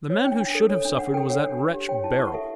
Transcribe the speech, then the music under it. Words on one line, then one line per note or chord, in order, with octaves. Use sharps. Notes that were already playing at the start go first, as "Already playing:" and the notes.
"The man who should have suffered was that wretch Beryl."
C#5
D4 G5
D4
A4
C#5
D4
D4 F#5
A4 G5
C#5 F#5
D4
D4
G4
C#5 G5
E4 A5
E4 C#6
F#5
A4 E5